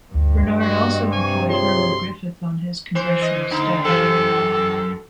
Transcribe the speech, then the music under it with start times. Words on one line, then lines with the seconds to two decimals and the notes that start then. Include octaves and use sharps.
Bernard also employed Herman Griffith on his congressional staff.
0.14 D2 G2
0.60 F#4 D#5
1.12 C3 G#5 C#6
1.50 F4 G#4 C#5 C6
2.95 E3 C5
3.22 D#5
3.51 D2 D3 D#4
3.85 F#2 C3 E3 A4